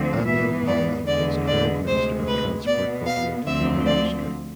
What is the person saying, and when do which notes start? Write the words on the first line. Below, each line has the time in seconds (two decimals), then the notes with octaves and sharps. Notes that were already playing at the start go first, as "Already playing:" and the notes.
Anil Parab is Current Minister of Transport Government of Maharashtra.
Already playing: D2 D3 F3 A3 C4
0.26 G#2 E3 B3 E5
0.67 D5
1.07 E2 D3 G#3 D5
1.47 D5
1.87 D2 C3 G#3 C5
2.27 B4
2.67 B2 B3 D5
3.06 F5
3.46 D2 D3 F3 A3 C4 E5
3.86 D5